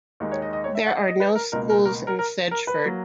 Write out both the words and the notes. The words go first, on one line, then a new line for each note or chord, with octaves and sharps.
There are no schools in Sedgeford.
D#2 D#3 G#3
C#5
D#5
D#5
C#5
E5
F#5
D#5
D#5
B4
A#4
C#2 B2 A#3 A#4
A#4
A#4
A#4
A#4
A#4
B4
F#3 A#3